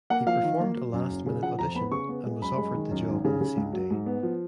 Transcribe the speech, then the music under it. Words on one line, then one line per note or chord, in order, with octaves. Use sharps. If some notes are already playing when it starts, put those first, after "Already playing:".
He performed a last-minute audition, and was offered the job on the same day.
A#3 F#5
F3 F5
D#3
A#3
F#3
F#2
F#1
C#3
F3 F#5
F2 A#5
B3 B5
C#3 C#6
B3
G#3
F#2 B5
G#3
D#3
F#2
G#1
C#3
C#3
C#2
F#3
G#2
B3
F3